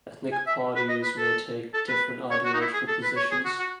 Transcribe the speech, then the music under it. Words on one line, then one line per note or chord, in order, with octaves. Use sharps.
Ethnic parties may take different ideological positions.
G#5
E5
B4
D#5
B4
A4
A4
B4
C#5
F#4
D#4
E4
G#4
A4
B4
C#5
G#4
F#4
F#4